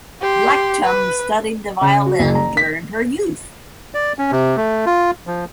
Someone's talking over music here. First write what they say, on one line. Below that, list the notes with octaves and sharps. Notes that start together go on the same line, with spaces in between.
Blectum studied the violin during her youth.
G4 C6
B4
C#3
F#4
F#1
A#5
B6
D5
C#4
C3
A3
F4
F3